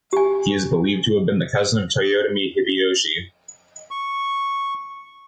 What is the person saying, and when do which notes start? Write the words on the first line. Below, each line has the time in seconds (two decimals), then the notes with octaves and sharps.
He is believed to have been the cousin of Toyotomi Hideyoshi.
0.13 G4 G#5
3.91 C#6